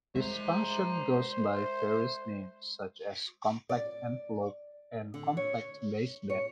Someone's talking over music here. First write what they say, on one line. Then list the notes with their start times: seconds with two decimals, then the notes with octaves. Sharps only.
This function goes by various names, such as "complex envelope" and "complex baseband".
0.16 G#3 C5 E5 A#5
3.69 D5
5.14 D3
5.37 C#5
6.30 C#5